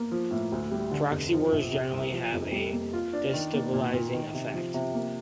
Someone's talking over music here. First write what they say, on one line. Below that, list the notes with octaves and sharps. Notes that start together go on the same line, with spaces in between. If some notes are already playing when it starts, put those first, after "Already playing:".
Proxy wars generally have a destabilizing effect.
Already playing: A#3
F3
A2
D2
G3
D3
F1
F3
A#1
C3
C2
F3
F1
G3
A#3
F4
D4
D#3
A#3
A#2
A#2
D#3
C3
F3
C3
A#3